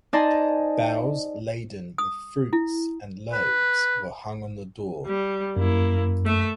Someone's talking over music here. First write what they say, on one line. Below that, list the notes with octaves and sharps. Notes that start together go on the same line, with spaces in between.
Boughs laden with fruits and loaves were hung on the doors.
D#4 C5 D5 D#5 G#5 A5
D#6
E4
B4
G3
F#2 A#3 E4
A3 E5